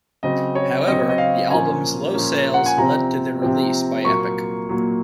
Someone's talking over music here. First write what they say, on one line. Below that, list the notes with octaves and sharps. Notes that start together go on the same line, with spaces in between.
However, the album's low sales led to their release by Epic.
C#3 F#3 C4 D#5
C#5
C#3 F#3 C4 D#5
D#5
F5
A#2 F3 A#3 C#4 G#5
A#2 F3 A#3 C#4
F#5
G#5
C3 F3 C4 A#5
C3 F3 C4
A#2 F#3 A#3 C#6
A#2 F#3 A#3